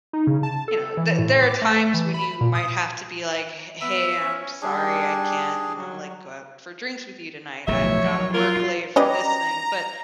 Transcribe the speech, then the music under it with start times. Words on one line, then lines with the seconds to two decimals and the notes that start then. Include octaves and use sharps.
you know, there there are times when you might have to be like, "H Hey, I'm sorry, I can't, you know, like, go out for drinks with you tonight, I've gotta work late for this thing." But,
0.13 D#4
0.27 C#3
0.43 A5
0.68 A4
0.97 E3
1.19 A2
1.42 D6
1.62 A3
1.94 E3
2.14 B5
2.41 A#2
2.55 D#6
3.81 B3 E5
4.20 C#4
4.62 G3 D4 G#4
5.77 F#3
7.67 D1 B1 F3 A3 C#5 E5
8.04 F#3
8.34 F4 A#4
8.96 G3 C#4 G4 B4 D5 D#5 A#5